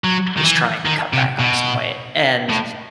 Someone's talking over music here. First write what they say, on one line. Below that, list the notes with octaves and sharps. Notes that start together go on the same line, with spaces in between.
was trying to cut back on some weight, and,
F#3
D#3
E3
D#3
C3
B2
A2